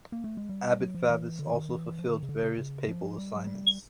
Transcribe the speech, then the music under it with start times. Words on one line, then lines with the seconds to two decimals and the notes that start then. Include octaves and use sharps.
Abbot Favus also fulfilled various papal assignments.
0.12 A#3
0.24 A3
0.37 G#3
0.49 G3
0.80 F#3
0.95 F3
1.09 E3
1.39 D3
1.47 E3
1.54 D#3
1.69 E3
1.99 F3
2.08 D3
2.13 D#3
2.23 C#3
2.29 D3
2.43 C#3
2.58 C#3
2.88 F3
3.18 G3
3.36 F#3
3.47 G3